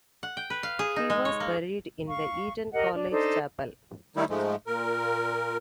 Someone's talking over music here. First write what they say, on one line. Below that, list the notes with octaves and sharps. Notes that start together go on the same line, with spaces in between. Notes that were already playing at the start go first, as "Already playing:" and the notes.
He was buried in the Eton College chapel.
F#5
G5
B4
F5
G#4
D#4
G#3
C#5
A#3
F5 C#6
G4 A#4 D#5 F#5
D4
D4 D#4 A4 C5
D#3 G3 A3 D#4 E4
G#2 F3 G#3 A3
A#2 A#4